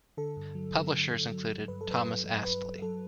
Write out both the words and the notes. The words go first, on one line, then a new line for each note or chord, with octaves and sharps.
Publishers included Thomas Astley.
D3 A4
G2
F#3
D3
D3
D3
F#3
F#3
G2 B4
A4
F#3 B4
F#3
F#3
G2 B4
F#3
F#3 A4